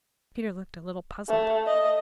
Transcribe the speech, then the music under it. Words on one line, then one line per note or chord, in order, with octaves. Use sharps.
Peter looked a little puzzled.
A3
D#5